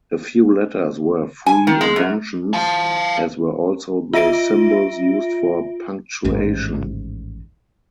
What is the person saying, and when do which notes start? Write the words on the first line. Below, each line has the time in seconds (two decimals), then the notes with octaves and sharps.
A few letters were free inventions, as were also the symbols used for punctuation.
1.46 G#5
1.67 D#3
1.81 G#3
1.96 F#2
2.54 F5 A5
4.13 F4 E5 A#6 D7
6.25 A1 D#2 G#2